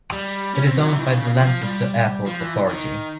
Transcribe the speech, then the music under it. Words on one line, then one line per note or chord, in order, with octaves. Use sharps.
It is owned by the Lancaster Airport Authority.
G3
C#4
C4
F#3
E3
D#3
C#3
C#3
F3
G3
F3
E3
D#3